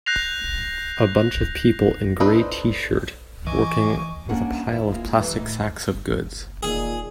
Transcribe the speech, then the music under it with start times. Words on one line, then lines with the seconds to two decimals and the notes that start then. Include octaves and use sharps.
A bunch of people in gray tshirt working with a pile of plastic sacks of goods.
0.06 F#6 G6 A#6 C7 F7
2.20 D4 A4 B4 C5 D#5
3.47 E3 D#5 G#5 C#6 D6
4.29 G3 A#3 C#4 D4 F#5
4.69 E2 D#4 E4
4.92 G#3 A#3 F4
5.19 D#3 E3 G3 A4
5.37 D2 A2 D#4
5.94 F#1
6.63 E1 A#2 D#3 G#4